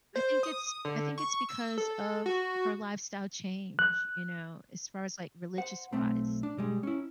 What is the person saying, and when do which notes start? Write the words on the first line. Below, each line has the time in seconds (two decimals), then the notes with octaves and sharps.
I think it's I think it's because of her lifestyle change, you know, as far as, like, religious wise.
0.16 C5
0.43 D#6
0.85 D3
1.18 C#6
1.49 E6
1.78 A4
2.26 F#4
3.79 F#6
5.58 C5 F#5
5.93 B1 A3 C4
6.43 D4
6.57 B2 G3 G#3
6.83 C#4 E4